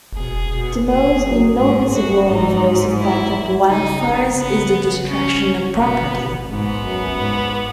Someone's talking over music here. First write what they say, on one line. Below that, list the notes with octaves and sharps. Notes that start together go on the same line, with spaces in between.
The most noticeable adverse effect of wildfires is the destruction of property.
B2 G#4
B2
A#2 G#4
F#2
G#2 G#4
F#2 F#4
G#2 D#4
E4
C#3 D#4
C#3 B3
C#4
B2 B3
G#2 B3
F#2
G#2